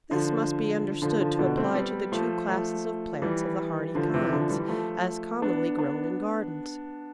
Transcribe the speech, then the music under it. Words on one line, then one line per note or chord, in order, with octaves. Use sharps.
This must be understood to apply to the two classes of plants of the hardy kinds, as commonly grown in gardens.
D3 F3
D3 F3
D3 F3
B2 D3
A3 C4
G3 B3
F3 A3
F3 A3
E3 G3
D3 F3
C3 E3
D3 F3
E3 G3
F3 A3
B3 D4
B3 D4